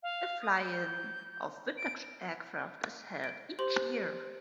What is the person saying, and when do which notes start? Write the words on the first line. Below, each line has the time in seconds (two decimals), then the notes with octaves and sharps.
A fly-in of vintage aircraft is held each year.
0.03 F5
0.42 D#6
0.61 G6
1.77 D7
3.24 D7
3.59 G4 C5 C6 F#7